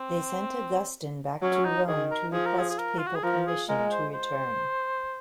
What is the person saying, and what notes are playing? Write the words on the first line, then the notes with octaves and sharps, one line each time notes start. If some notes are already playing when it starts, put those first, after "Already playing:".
They sent Augustine back to Rome to request papal permission to return.
Already playing: C4
F#3 C#4
C#4
D#4
D#3 G#4
A#4
F3 G#4
A#4
G#4
G#4
A#4
F4
F#4
G#4
F3 A#4
G#4
G#3 A#4
C5
C5